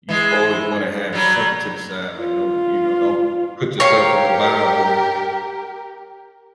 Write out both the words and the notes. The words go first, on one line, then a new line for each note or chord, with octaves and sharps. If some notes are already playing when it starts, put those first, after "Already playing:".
you always wanna have something to the side, like don't, you know, don't put yourself in a bind where
E3 G#3
F#3 G3
F4
G4 A#4 C#5 F5